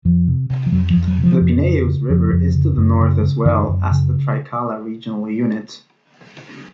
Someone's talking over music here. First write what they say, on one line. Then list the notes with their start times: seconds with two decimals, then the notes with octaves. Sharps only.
The Pineios River is to the north as well as the Trikala regional unit.
0.05 F2 F3
0.28 C3
0.50 C3
0.66 F3
0.72 F2 F#3
0.90 F3
0.96 F2
1.08 F#3
1.18 C3
1.24 F3
1.41 F2
1.63 C#3
1.87 C#3
2.09 F2 F3
2.32 F2
2.55 C#3
2.77 F#2
3.00 C#3
3.22 C#3
3.45 F#2 D#3
3.68 F#2
3.91 C#3